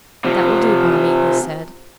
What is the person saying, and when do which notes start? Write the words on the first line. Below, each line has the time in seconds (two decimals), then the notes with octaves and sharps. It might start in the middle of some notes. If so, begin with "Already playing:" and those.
"That will do Bonni," he said.
0.25 C3 F3